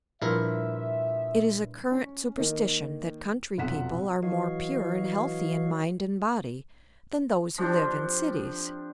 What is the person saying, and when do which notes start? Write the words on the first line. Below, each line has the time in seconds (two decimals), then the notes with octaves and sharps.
It is a current superstition that country people are more pure and healthy in mind and body than those who live in cities.
0.22 G2 A#2 F3 E4 A#4 E5
1.92 C#4
2.37 D#3 A#3
3.58 F1 B1 F4 F#5 B6 E7
4.23 E3 F#3 F#4 C#5 D#5 F5
7.58 F3 C4 D4 G4